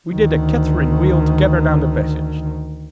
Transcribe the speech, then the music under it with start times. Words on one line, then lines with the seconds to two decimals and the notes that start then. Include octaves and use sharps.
We did a Catharine-wheel together down the passage.
0.13 D2 D#3